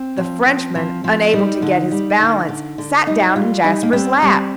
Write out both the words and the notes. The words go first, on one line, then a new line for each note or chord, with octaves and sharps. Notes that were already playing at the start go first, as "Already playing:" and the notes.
The Frenchman, unable to get his balance, sat down in Jasper's lap.
Already playing: C4
F3
F3
F3
F3
G3 D#4
D3
G3
D3
D3
D3
G3 D#4
G3 F4
G3 D#4
A#3
G3 C4
G3